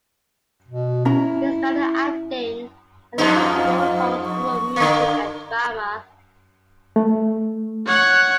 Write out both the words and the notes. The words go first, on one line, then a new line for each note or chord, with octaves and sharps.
He studied acting at the Guildhall School of Music and Drama.
B2
C#4 E4 A#5
F2 G#2 D#4 D#5
F4
C#6
D3 A#3
A3
C#5 F#5